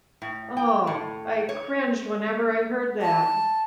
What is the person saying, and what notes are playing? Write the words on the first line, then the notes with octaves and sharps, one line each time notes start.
Oh, I cringed whenever I heard that.
A2
G5
A2
C#5
A5